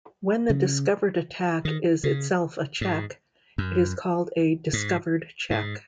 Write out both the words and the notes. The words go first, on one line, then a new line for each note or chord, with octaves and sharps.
When the discovered attack is itself a check, it is called a "discovered check".
C#3
D#3
C#3
G#2
F#2
G#2
G#2